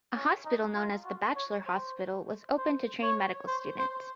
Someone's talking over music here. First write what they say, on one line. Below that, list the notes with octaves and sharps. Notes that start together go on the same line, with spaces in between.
A hospital known as the Batchelor Hospital was opened to train medical students.
C#4
D#4
F4
F#4
C#5
C5
C5
C#5
C5
C5